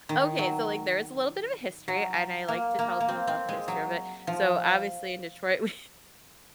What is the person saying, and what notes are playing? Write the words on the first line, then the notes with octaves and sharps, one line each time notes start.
Okay, so, like, there is a little bit of a history, and I like to tell people about the history of it. So, obviously, in Detroit, we
D#3
F#3
F#3
A#3
A#3
A#3
C4
C4
G#3
F#3
F3